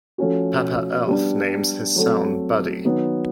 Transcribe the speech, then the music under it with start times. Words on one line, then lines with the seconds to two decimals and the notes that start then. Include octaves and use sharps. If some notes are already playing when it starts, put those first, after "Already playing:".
Papa Elf names his son Buddy.
0.18 F3 A3 C#4 F#4
1.07 G3 B3 D4
1.96 F#3 A3 C4
2.85 D#3 F#3 B3